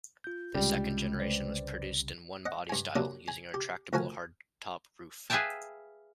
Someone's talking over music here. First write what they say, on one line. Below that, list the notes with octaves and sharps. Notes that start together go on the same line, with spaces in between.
The second generation was produced in one body style, using a retractable hardtop roof.
F4 G6
C2 C#3 G3 G#3
B4 C5 D5
D#5 F#5
G2 G#5
F#3 A#3 D4 G4
G#5
G4
D2 F3 F#4 A#4 G#5
G#4 B4 E5 F5 G5 A5